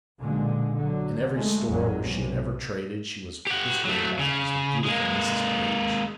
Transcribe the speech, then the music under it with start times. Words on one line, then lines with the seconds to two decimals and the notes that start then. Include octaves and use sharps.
In every store where she had ever traded she was whispered about as the beautiful Mrs. Page.
0.20 B1 A#2 D3 G#3
0.76 D3 F#3
1.37 G#3 A3
1.67 A1 F2 G#2 F#3 G#3 C#4
2.03 B1 C3
3.47 G4 F#5
3.85 F#3 A3
4.19 C#3
4.84 G#3 A#3